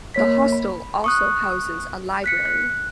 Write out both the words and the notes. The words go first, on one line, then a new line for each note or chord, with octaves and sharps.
The hostel also houses a library.
A#3 C#5 B6
B5
C#6 D#6 F#6
F#6 B6 C#7
F#6